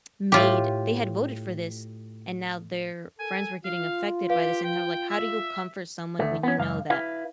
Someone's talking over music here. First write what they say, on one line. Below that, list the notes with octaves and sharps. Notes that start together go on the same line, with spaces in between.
Made they had voted for this and now their friends were getting affected by this and how, like, how do you comfort someone when you know that
A2 F4 G4
A4 A#4 G#5
F4 F5
G4 B4 F5
G5
E5
D2 A3
B3 C#4
C#2 F#2 F5
E4 B4 F5